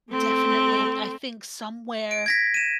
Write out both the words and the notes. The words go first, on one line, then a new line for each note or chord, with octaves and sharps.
Definitely, I think somewhere
A3 C4
D7
G#6 A#6 B6
D#7 E7